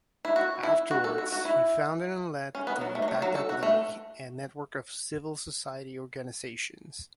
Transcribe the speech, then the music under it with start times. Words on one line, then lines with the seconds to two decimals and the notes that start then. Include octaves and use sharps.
Afterwards he founded and led the "Baghdad League", a network of civil society organisations.
0.25 E4
0.36 F#4
0.63 E4
0.91 F#4
1.04 A4
1.18 F#4
1.32 F#4
1.45 E4
2.55 C#4
2.67 B3
2.81 F#3
2.95 A3
3.02 F#3
3.08 A3
3.22 F#3
3.35 A4
3.49 F#4
3.63 A3